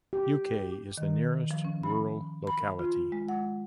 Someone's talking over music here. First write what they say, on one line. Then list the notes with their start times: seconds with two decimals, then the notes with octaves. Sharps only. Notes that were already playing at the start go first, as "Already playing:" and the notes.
Uk is the nearest rural locality.
0.13 G4
0.97 D#3
1.51 F3
1.64 C#4
1.83 B5
2.47 B5
2.79 F4
3.12 G#3
3.28 F#5